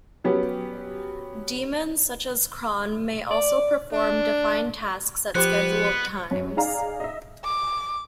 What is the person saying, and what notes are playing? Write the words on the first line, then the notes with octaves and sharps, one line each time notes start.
Daemons such as cron may also perform defined tasks at scheduled times.
F#3 B3 C#4 G4
D5
D4
F3 B3 G4 C5 F#6
F#2 F#3
D#4 G#4 D5 F5 A#5
D#5 E5
D6